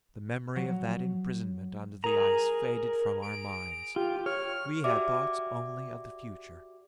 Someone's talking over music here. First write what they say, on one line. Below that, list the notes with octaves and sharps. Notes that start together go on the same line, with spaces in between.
The memory of that imprisonment under the ice faded from our minds. We had thoughts only of the future.
F#3
G#4 A#4 A#5
D7
F4 G4
C#5 F6
F#4 G4 D5 E5 D6